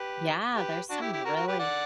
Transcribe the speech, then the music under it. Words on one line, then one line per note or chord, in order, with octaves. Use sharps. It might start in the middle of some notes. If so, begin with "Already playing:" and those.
Yeah, there's some really
Already playing: G4 B4
G4 B4
D4 F#4
E4 G4
E4 G4
F#4 A#4
F#4 A#4
G4 B4
D5 F#5